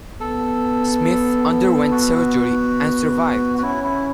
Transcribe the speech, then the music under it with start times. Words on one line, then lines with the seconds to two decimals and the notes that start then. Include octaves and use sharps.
Smith underwent surgery and survived.
0.20 B3 A4
1.92 F#4
3.58 F#4
3.63 C#4 E4
3.84 E4